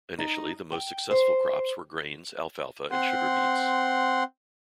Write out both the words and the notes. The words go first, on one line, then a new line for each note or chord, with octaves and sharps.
Initially, the most successful crops were grains, alfalfa and sugar beets.
D#4
G5
C5
C4 F#5 C6